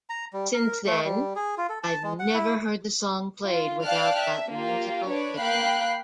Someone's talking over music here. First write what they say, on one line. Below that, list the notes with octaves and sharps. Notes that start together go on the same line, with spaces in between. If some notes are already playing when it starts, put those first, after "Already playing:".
Since then, I've never heard the song played without that musical figure.
A#5
G3
A#4
A3
G3
G#4
F4
A4
A5
G#3
F#5
E4
F4
D5 F5 G5 A5 F6 F#6
E5
A#3 F4 G4
D4 B4 C#5 D5
A#3 F5 G5 B5 F#6 C7